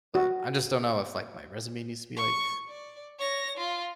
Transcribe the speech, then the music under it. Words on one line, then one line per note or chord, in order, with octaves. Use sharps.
but I just don't know if, like, my resume needs to be, like, ch
F#4
C#6
D5
C#5 A#6
F4